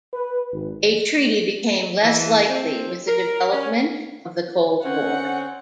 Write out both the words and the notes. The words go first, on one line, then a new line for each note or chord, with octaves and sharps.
A treaty became less likely with the development of the Cold War.
B4
G#1
E3
C4
A#4
C#4
D3 C4 C#4 F#5